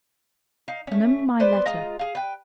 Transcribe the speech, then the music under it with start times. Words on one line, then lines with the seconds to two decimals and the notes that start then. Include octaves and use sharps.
Remember my letter.
0.68 D#4 F5
0.87 A3 C#4
1.40 B3 B4 C5 D5
1.66 G#3 F4 D#5 A#5
1.99 G#4 F5
2.15 B4 G5